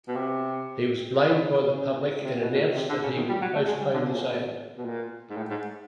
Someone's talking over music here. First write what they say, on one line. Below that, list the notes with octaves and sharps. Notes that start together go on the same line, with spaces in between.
He was blamed by the public and announced that he would postpone the sale.
B2
C3
C#3
C3
B2
B2
A#2
C3
D3
C#3
D#3
G3
F#3
A3
G#3
G3
D3
C#3
A#2
B2
B2
A#2
G#2
A2
G#2